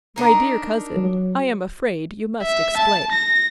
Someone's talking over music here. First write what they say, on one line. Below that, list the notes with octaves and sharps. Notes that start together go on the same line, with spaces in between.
"My dear cousin, I am afraid you must explain."
D4 D#4 A#4
F#3
E5
A5
A#6